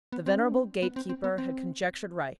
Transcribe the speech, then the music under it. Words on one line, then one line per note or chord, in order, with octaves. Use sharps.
The venerable gate-keeper had conjectured right.
B3
C4
D4
C4
B3
C4
C4
B3
C4